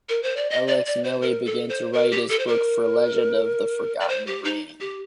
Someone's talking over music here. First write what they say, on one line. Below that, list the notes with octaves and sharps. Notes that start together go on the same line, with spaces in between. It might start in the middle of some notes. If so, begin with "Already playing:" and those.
Alex Mele began to write his book for "Legend Of The Forgotten Reign".
A#4
C5
D5
D#5
D5
D5
C5
A#4
A4
C5
A#4
G4
A4
C5
A#4
D5
C5
G4
D#4
G4